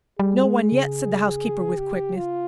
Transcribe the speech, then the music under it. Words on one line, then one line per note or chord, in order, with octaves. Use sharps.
"No one yet," said the housekeeper, with quickness.
G3 G#4
G#3
C#3
G4
F4